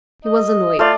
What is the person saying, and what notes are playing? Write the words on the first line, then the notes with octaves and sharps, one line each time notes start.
He was annoyed.
D#5
A3 F4 D5